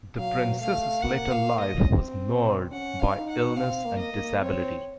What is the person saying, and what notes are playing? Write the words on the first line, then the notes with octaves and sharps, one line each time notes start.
The Princess's later life was marred by illness and disability.
F#3 F5
A3 F5
A#3 F#5
F5
D#5
C4
C#4 F#5
F5
D#4
F#5
C4 F5
A#3
D#5
A#3
C4 C#5